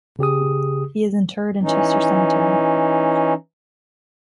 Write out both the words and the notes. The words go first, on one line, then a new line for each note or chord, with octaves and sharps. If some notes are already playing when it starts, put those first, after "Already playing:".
He is interred in Chester Cemetery.
C#3 G4 G#4 D#6
E3 C#4 D#4